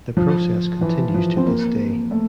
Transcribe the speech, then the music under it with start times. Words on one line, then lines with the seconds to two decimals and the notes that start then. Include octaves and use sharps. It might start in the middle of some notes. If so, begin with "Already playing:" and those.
This process continues to this day.
0.17 F3
0.81 E3
1.14 F3
1.37 C4
1.46 A#3
2.11 A3